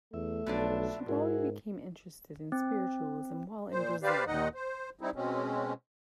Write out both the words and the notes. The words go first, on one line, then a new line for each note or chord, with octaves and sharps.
She probably became interested in spiritualism while in Brazil.
E2 A3 E5
B1 B2 F3 D4
G#2 E4 F#4 G#4 A#4
C4
A#2 C5
G4 B4 C5 D5 F5
D#2 A#2 D#3 D#4 D#5 F#5
C5
G3 C4 D#4 E4
B2 G#3 C4 C#4